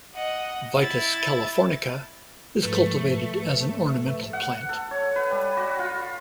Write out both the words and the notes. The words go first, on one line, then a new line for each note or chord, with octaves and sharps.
"Vitis californica" is cultivated as an ornamental plant.
D#5 F#5
E4 A6
G#2 F3 A3 B4
F#5
A4
C#5
B4
G3
F#4
F4